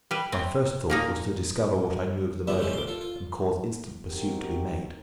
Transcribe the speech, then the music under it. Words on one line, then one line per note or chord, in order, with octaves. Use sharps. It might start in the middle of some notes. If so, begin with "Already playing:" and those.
My first thought was to discover what I knew of the murderer, and cause instant pursuit to be made.
G3 B4
C4
A#2 A#3 D#4
D2 A#2 D3 G3 B3 E5
C#3 G#3 A3 C#4 G4
C6 D6
F4 A4
F4
C4 D#4 F#4 G4 A#4